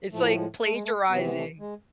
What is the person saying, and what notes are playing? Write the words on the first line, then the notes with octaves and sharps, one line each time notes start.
It's like plagiarizing.
A2 F3 A3
A3
G#3
A3
G#3
A3
C3 E3 B3
C4
G#3 B3
A3
G#3